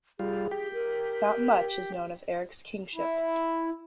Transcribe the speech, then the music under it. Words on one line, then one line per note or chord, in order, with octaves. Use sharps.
Not much is known of Eric's kingship.
G3 F4 G#4
G4
A#4
E4